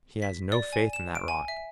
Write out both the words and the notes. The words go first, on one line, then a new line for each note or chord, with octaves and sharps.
He has no faith in that rot.
B6
D5
G#5
E7
D7
G#5
E5